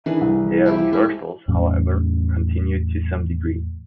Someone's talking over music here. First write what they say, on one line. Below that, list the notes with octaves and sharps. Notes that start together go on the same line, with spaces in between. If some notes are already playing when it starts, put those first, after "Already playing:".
Their rehearsals, however, continued to some degree.
D#3 E3 D4 G#4 B4
C2
F3 E4 G4
G#3 A3 E4
E2 A2 F#3 C#4